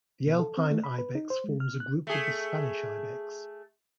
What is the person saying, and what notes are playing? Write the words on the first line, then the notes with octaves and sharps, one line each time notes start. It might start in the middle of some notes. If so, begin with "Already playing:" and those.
The Alpine ibex forms a group with the Spanish ibex.
B2
A4
C4
A3
B5
B4
D#4
C5
G#3
F6
F#6
A3 G#4